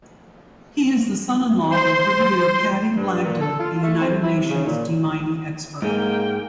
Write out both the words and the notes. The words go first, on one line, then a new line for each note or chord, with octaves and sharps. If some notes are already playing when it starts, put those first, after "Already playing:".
He is the son-in-law of Brigadier Paddy Blagden, a United Nations de-mining expert.
C5 C6
G2
A#2
A4
F4
A3
C4
E4
C3
C#3
A#2
G#2 G#3 A#3 G5